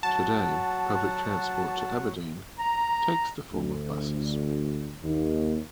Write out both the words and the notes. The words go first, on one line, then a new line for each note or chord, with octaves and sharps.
Today, public transport to Aberdeen takes the form of buses.
F#3 F#4 F#5 A5
A#5
D2
D#2